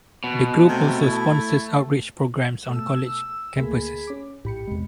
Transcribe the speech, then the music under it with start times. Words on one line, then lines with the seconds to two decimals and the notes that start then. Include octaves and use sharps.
The group also sponsors outreach programs on college campuses.
0.24 B2
0.69 C3 A3
1.02 E4
2.69 B2 A3 A5 E6
3.57 D2 A3 A#3 G#4 B5
4.07 C#4 D6
4.45 A#1 A2 G4 B5 C#7
4.67 E2 C3 G#3